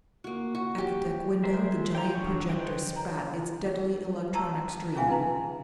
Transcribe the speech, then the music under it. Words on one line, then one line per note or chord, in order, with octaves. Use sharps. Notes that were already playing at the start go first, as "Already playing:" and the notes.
At the deck window the giant projector spat its deadly electronic stream.
A#3 F#4
F#4
G4
G#3 A#4 C5 E5
G5 A#5
D3 F#3 C#6
B4 C5 D#5 G5
C#5 A#5
A5 A#5 C6 C#6 E6
C#4 F4 G#4 E5 F5 G#5
D#4 B4 A#5 C6